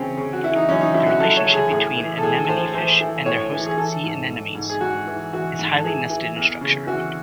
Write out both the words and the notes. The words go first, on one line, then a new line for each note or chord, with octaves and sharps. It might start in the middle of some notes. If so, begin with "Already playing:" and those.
The relationship between anemonefish and their host sea anemones is highly nested in structure.
Already playing: C#3 E3 C4 C#4
C#3
F#4
E3 E4
D#4
F#2 C#4
D#4
F#2 E4
F#4
F#2 A4
C#5
C#3
G#4
A2 G#4
E3
A4
A2 G#4
A4
A2 C5
E3 C5
E3
A2 C#5
E3
G#4
E3 A4
G#2
G#2
G#2
G#4
G#2 F#4
E3
E3 F#4
G#2
A4
E3 G#4
E3
E2
C#3
E3 F#4